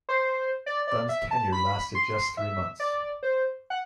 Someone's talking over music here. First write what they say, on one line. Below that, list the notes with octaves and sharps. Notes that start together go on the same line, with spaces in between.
Dunn's tenure lasted just three months.
C5
D5
D5
E5
A5
B5
C6
E5
D5
C5
F#5